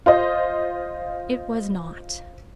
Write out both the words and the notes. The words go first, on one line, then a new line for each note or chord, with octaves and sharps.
'It was not.
F4 C5 D#5